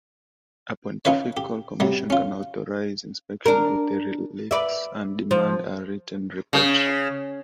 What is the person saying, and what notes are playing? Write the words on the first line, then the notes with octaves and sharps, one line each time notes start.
A pontifical commission can authorize inspection of the relics and demand a written report.
C#4 D#4 F4 B4 C#5
G4
C3 F#3 G3
C#4 F4
D4 A#4
B4 D5 E5
F3
C#3